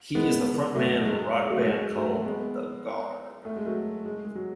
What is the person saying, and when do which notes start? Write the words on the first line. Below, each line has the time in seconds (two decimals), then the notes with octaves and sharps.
He is the frontman of a rock band called The Garb.
0.15 G#3 B3
0.75 F#3 A3
1.05 G#3
1.20 G#3
1.50 F#3 A3
1.65 G#3
1.95 F#3 A3
2.25 G#3 B3
3.45 A3
3.56 G#3
3.66 F#3 A3
4.06 G#3
4.25 G#3
4.35 F#3